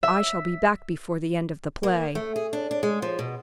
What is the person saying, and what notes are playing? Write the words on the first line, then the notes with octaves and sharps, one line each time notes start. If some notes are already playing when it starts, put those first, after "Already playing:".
I shall be back before the end of the play.
E5
A#3
A3
G#4
D4
D4
G#3
F3
B2